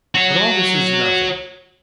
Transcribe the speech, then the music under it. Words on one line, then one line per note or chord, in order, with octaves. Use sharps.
But all this is nothing.
F#4 C#5